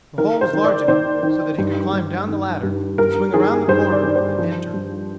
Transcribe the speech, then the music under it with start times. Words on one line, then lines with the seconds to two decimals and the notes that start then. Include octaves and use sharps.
The hole was large enough so that he could climb down the ladder, swing around the corner, and enter.
0.18 D#3 A#4
0.41 C5
0.53 D#3
0.64 D5
0.88 D#3 C5
1.23 D#3
1.58 G2
1.93 G2
2.29 D#3
2.63 G2
2.98 G2 A#4
3.34 D#3 G#4
3.68 G2 C5
3.92 D5
4.03 D#3
4.15 C5
4.39 F3
4.74 G2